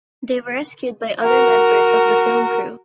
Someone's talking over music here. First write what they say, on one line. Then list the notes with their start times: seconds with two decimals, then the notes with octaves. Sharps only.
They were rescued by other members of the film crew.
1.23 F#4 A#4